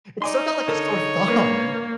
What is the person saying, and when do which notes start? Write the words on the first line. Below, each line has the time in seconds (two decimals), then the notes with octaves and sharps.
It stuck out like a sore thumb.
0.22 D#4 D5 G#5 C6
0.68 D3 A4 A#4 C#5
1.28 A#3 D4 A#4 B4